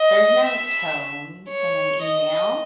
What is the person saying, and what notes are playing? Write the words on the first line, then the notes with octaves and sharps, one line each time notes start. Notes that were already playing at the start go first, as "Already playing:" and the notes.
there's no tone in an email,
Already playing: D#5
E5
C#5
D#5